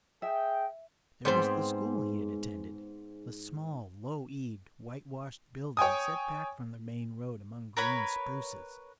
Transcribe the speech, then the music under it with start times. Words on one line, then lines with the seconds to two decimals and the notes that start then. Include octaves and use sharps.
There was the school he had attended, a small, low-eaved, white-washed building set back from the main road among green spruces.
0.22 G#4 D#5 E5 G5
1.25 G#2 B3 C4
5.77 C#5 G5 G#5 D#6
7.77 A#4 B4 C#5 B5